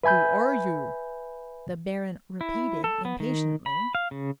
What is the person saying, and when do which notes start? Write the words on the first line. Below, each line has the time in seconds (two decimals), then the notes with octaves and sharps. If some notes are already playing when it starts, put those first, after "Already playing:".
"Who are you?" the Baron repeated, impatiently.
0.04 B4 E5 G#5 B5 G6
2.41 E4
2.84 A4
3.05 B3
3.20 D#3
3.66 B5
3.95 F5
4.11 C#3